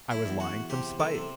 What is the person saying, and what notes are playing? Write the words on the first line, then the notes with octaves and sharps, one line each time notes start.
I was lying from spite.
E4
E2
F#4
C3 G4
A4
C3